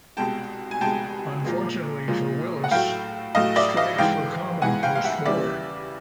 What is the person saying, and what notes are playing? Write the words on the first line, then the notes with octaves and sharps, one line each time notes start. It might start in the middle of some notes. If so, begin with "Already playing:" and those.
Unfortunately for Willys, strikes were common postwar.
C2 B2 G#3 G5 A5
G#5
C2 B2 G#3 G5 A5
A#2 F3 G#3
A#2 F3 G#3
F#5
A2 F#3 A3 F5 G5
A2 F#3 A3 D#5 F5
D5 E5
D#5 F5
G#2 E3 G#3 F5 G5
G#2 E3 G#3 F#5 G#5
F5 G5
F5
E5 F#5
D#2 C#3 E3 G3 D5 E5